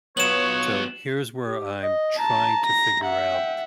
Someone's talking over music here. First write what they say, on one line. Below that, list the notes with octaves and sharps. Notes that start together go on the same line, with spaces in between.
So, here's where I'm trying to figure out.
F#3 B3 F4 B4 C#5 E7 F#7
G4
D#5
A5 A#5
A#6
E5 F#5
G5